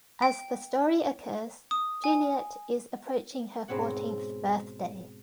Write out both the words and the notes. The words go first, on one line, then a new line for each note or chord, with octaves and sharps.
As the story occurs, Juliet is approaching her fourteenth birthday.
G5
D#6
G#5
G#2 B2 C4 C#5 F#5